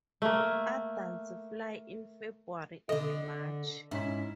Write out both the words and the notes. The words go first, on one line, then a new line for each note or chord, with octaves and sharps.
Adults fly in February and March.
A3 A#3
D3 A4 D#5
G#2 C#4 E4 B6